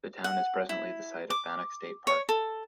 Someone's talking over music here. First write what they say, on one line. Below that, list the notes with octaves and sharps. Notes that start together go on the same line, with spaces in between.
The town is presently the site of Bannack State Park.
F#5
E4
D6
C#5
A4